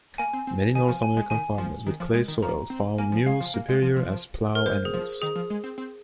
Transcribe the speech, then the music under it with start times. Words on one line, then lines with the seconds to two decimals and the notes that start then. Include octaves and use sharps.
Many North American farmers with clay soil found mules superior as plow animals.
0.18 A#3 G#5
0.33 C4
0.47 C4
0.75 D#3 G#5
0.88 F3
1.02 G#5
1.17 G#3
1.30 D#3 G#5
1.58 F3
1.87 D#3
2.00 F3
2.14 G#3
2.28 D#3
2.43 F3 A#5
2.70 C4
2.98 A#3 G#5
3.12 F3
3.26 G#3 F5
3.40 F3
3.54 A#3
3.68 G#3
3.82 F3
3.96 F3
4.55 A#4
4.66 G#3 C5
4.85 G#4
4.93 F3
5.22 D#3 G#4
5.35 F3
5.50 G#3
5.64 C4
5.78 C4